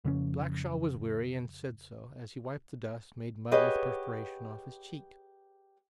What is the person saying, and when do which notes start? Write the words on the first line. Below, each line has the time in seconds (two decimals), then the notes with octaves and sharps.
Blackshaw was weary, and said so, as he wiped the dust, made mud with perspiration, off his cheeks.
0.05 F2 C#3 F3 C#4
3.51 G4 G#4 B4 C#5 D#5 F#5